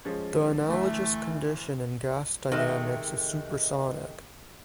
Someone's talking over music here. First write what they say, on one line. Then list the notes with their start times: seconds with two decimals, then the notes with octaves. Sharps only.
The analogous condition in gas dynamics is supersonic.
0.05 F3 G#3 C#4
0.69 D2 E3 A3
2.52 C3 D#3 G#3 A3